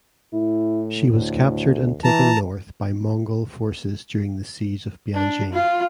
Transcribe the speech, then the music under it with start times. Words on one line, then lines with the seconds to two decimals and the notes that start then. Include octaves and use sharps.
She was captured and taken north by Mongol forces during the siege of Bianjing.
0.33 A2 E4
1.10 D2 A2
2.04 E3 A5 A#5
5.14 D4
5.53 F4